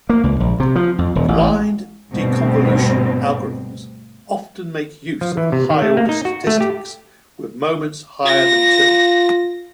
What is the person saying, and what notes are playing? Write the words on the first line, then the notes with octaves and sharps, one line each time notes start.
Blind deconvolution algorithms often make use of high-order statistics, with moments higher than two.
A#3
C#2
A#1
C3
F3
F2
E1
A1
D2 G2 B2 C4
F3
E3
C3
D#3
A3
A#3
D#4
F#4
A3
G4
F4 A#6